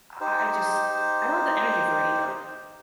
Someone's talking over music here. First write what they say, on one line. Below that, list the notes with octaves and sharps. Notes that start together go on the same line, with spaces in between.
I I I just I don't have the energy for it either,
D#4 G4 C5